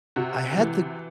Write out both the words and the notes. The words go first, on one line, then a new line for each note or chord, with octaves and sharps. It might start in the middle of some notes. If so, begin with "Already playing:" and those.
I had the
C3 F#4
E3